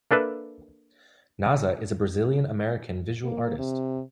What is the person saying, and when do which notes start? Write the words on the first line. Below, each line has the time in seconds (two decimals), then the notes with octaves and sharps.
Naza is a Brazilian American Visual Artist.
0.11 A#3 D4 A4 B4 E5
3.24 A#3
3.58 C3